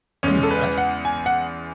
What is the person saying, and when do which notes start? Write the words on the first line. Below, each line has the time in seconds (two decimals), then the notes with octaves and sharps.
What is that?
0.23 E2 C#3 G#3 C#4
0.43 A4
0.51 B4
0.78 F#5
1.05 G#5
1.26 F#5